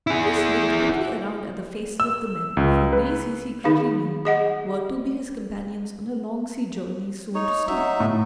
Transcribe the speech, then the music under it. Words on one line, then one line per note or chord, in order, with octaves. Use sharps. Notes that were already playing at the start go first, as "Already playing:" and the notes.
Chris looked quickly around at the faces of the men, for these, he secretly knew, were to be his companions on a long sea journey soon to start.
E4 G#4
E6
C#2
B4
D#3 D#4 G#4 F5
G#4 D#5 F#5
D#4 C#5
F#3 D#4 E5
A2